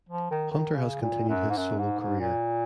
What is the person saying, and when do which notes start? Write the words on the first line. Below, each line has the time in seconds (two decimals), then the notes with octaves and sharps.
Hunter has continued his solo career.
0.09 F3
0.31 D#3
0.52 D#3
0.73 C#3
1.02 A#2
1.29 F#2
1.50 G#2
1.57 F#2
1.79 G#2
2.00 G#2
2.20 A#2